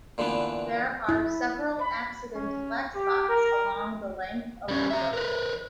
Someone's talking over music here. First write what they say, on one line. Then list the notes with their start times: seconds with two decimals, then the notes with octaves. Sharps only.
There are several accident blackspots along the length of the road.
0.18 A#2 D3 E3 A3 B3
1.09 E4
1.81 B5
2.35 C#4
2.95 G4
3.29 A#4
4.68 G3 C#4
4.91 E5 A#5
5.13 A#4 B4